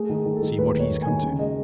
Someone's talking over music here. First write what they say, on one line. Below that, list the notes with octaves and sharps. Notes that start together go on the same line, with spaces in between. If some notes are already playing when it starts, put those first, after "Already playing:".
See what he's come to!
Already playing: A3 G#4
D#3
G#4
D#3
A4
D#3
D#2 B4
D#2 C#5
D#2
D#3 G#5
C#3
G#3 D#5